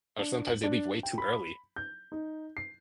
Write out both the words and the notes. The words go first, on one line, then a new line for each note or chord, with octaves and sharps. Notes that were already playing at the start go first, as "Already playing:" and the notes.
or sometimes they leave way too early.
D4
F#7
D4
G5
B5
G6
D#4
C7